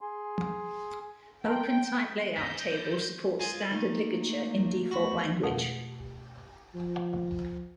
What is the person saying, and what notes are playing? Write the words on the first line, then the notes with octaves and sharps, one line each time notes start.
OpenType layout table supports standard ligature in default language.
G#4 G#5 C6
G5 A5 A#5 C6
D3 E3 G6 A#6 B6
G#3 F4 G#5
D#3 A3 A#3
E2 A3 F#4 B5
F2 B2 A3 F5 F#5
F3